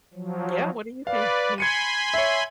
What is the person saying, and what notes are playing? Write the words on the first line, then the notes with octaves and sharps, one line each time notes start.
Yeah, what do you thinking?
F3 F#3
B4 D5 F5
G#5 B5 C6 G#6 C#7 D#7
C#5 E5